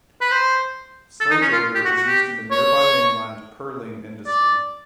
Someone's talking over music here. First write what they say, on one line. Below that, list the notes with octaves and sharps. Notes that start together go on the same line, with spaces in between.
Slave labour was used in the nearby mainland pearling industry.
B4
C5
A4
D#4
C#4
F4
G4
F#4
F#4
G4
C#5
D5